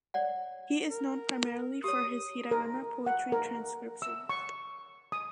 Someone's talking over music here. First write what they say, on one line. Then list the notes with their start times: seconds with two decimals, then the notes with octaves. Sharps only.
He is known primarily for his hiragana poetry transcriptions.
0.14 C#5 D5 F#5
0.90 A#4
1.84 G4 C#5 D#6
2.51 A#4
3.06 F#5
3.32 A#4
4.02 E6
4.29 C#6
5.12 D#6